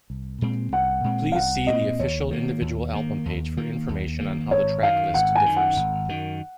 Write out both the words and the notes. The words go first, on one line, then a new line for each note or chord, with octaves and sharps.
Please see the official individual album page for information on how the tracklist differs.
C2
A#2 G#3 C4
C2 F#5
A#2 G#3 C4
F5
C2 F#5
A#2 G#3 D#5
C4
D#2 C#5
D#3 A#3
D#2
D#3 A#3
D#2
D#3 A#3
D#2
D#3 A#3
G#1 C#5
F#2 D#3 F5
G#1 F#5
G#5
F#2 D#3
F#5
G#1
F#2 D#3